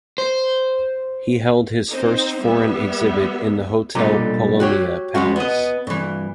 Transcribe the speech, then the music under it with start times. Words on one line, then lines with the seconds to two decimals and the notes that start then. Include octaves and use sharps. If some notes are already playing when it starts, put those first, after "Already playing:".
He held his first foreign exhibit in the Hotel Polonia Palace.
0.18 C5
1.90 C4 D#4 C5
2.41 G3 B3 E5
3.95 B1 A#2 D3 G3 A#5
4.60 F#4 G4 C#5
5.15 G3 G#3 C#4 F#4
5.36 B3 D#5
5.87 G2 E3